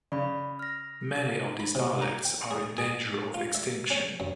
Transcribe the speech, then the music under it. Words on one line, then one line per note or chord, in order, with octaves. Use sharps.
Many of these dialects are in danger of extinction.
C#3 D5 B5
F6 A#6
B5
C3
A#5
G5
G#4
G#4
F4
E5
C#4
F#2